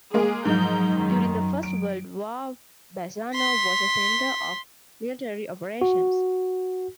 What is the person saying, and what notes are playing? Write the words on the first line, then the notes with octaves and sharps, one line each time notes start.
During the First World War Bassano was a centre of military operations.
G#3 A#3 G#4
G#2 F3 F#3 D#4 A#4 G6
F#2 D#3
D7
C6 B6
F#4